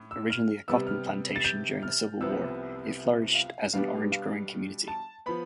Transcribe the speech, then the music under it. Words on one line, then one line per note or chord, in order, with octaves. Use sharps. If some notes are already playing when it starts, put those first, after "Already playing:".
Originally a cotton plantation during the Civil War, it flourished as an orange-growing community.
Already playing: A2
E6
F6
C3 G3 B3 E6
F6
A6
G6
F6
C2 C3 F3 B3 E6
F5
B2 G3 B3 D4 F5
F5
A5
F3 B3 B5